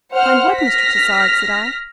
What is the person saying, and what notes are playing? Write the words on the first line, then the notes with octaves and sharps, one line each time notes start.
"Find what, Mr. Tassard?" said I.
C5 F#5 F6
F6 A#6 B6